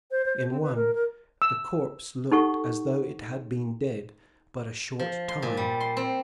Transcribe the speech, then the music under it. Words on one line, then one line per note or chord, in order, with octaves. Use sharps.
In one the corpse looked as though it had been dead but a short time.
C5
C5
C5
C4
B4
A#4
A#4
E6
D#4 G4 A4 F#5 C#6
F3
C6
A#2
G3
C6
C4